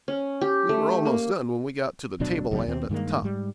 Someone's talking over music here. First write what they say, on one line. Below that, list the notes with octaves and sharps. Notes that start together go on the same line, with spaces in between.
We were almost done when we got to the tableland at the top.
C#4
G4
A3
A#3
D1 B2 F#3 D4
F1 A#1 C3 G3
D#2 C4
G2 D#3 G#3 A#3
G#2 G3